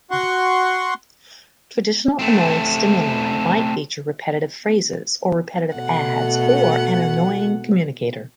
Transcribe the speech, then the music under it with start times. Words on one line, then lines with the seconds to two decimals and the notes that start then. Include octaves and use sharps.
Traditional annoyance stimuli might feature repetitive phrases or repetitive ads or an annoying communicator.
0.11 F#4 F#5 C6 C#6
2.19 A3 C4
5.75 B2 A3 F#5